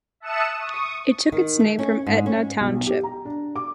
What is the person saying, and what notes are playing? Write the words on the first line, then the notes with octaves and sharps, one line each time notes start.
It took its name from Etna Township.
E5 A5 D#6 F#6 C#7 E7
C#6 D#6
D#3
A3
C#4
G#2
C#4
B1
G4
A#5
D4
D6